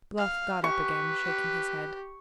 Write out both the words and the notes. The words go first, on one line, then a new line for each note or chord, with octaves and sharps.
Bluff got up again, shaking his head.
F5
G4 B4 C#6
G4